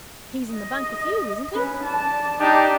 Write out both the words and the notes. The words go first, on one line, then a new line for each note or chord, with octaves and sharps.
He's in the bank with you, isn't he?'
D#5
C#4 B4
D5 A5
D4 D#4 G4